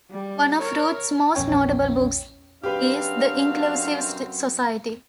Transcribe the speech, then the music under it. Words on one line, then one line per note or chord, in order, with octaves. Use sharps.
One of Ruth's most notable books is The Inclusive Society?
G3
A#4 C#5
A#1 E2 C#4 C#5 G5
F#2 F#3 C4 D4 G4 B4 F5 G5